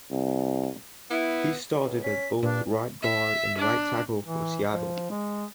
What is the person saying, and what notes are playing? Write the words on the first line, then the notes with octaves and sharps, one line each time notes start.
He started at both right guard and right tackle for Seattle.
C2
B3 E4
C#2
C#4 B6
G2 A#2 D4
E5
D4
E3
F3
G#3